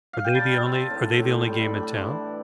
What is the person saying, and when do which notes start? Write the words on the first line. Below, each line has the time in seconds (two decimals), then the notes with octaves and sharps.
Are they the only are they the only game in town?
0.13 F5
0.24 G5
0.35 G3 A5
0.53 A5
0.63 C4
0.72 A5
0.90 A2
1.18 A2
1.46 G3
1.64 B5
1.74 D4
1.83 B5
1.93 C6
2.01 E3 B5